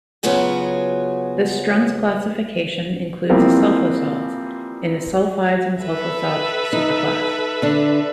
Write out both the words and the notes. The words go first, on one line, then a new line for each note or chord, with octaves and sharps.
The Strunz classification includes the sulfosalts in a "sulfides and sulfosalts" superclass.
C#3 F#3 B3 F4 F#4 G#4
E3 F3 G3 A#3 C4
A4 B4 E5
D#4
D3 D4